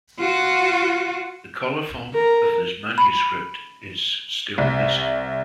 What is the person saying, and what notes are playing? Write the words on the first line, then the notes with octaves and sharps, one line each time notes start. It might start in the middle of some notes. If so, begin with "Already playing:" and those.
The colophon of this manuscript is still missing.
F4 F#4
A#4
B5
C2